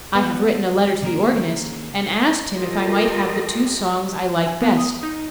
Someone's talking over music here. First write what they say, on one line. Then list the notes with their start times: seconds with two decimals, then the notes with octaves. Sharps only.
I have written a letter to the organist, and asked him if I might have the two songs I like best.
0.15 B3
1.02 C3 D#3 A#3 C#4 G#4 A#4
2.56 F4 G4 A4 A#4 D#5
4.47 G#5
4.62 B3
4.77 D#6
5.03 D#4